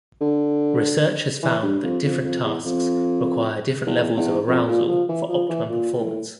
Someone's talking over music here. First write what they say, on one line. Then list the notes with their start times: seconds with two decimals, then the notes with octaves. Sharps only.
Research has found that different tasks require different levels of arousal for optimal performance.
0.21 D3
1.43 E3
1.63 G2
1.84 F2
2.04 F2
2.24 F2
2.44 E2
2.65 F2
3.86 E2
4.17 E2
4.47 F2
4.68 A#2
4.88 F3
5.09 E3
5.29 F3
5.49 E3
5.69 A#2
6.00 A2